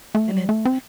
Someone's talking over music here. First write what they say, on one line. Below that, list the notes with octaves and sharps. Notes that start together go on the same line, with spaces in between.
And it's
A3
G3
A3
C4